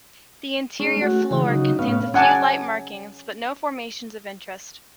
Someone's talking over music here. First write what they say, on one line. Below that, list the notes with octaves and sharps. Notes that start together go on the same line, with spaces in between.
The interior floor contains a few light markings but no formations of interest.
G#3 C#4
A3 F#4
C#3 E3 G#3
C#3 F#3 D#4
A2 B3 C#4 F5
C#4 F#5 G#5 A5 D6